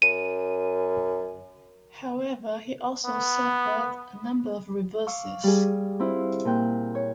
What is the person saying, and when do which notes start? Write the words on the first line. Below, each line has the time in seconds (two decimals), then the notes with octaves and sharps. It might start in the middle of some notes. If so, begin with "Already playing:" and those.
However, he also suffered a number of reverses.
0.02 F#2 D#7
3.05 B3
5.07 F5 C#6 D6 E6
5.43 G3 G#4
6.00 C4 E4 F4
6.45 A#2 G5 F#6
6.95 C#5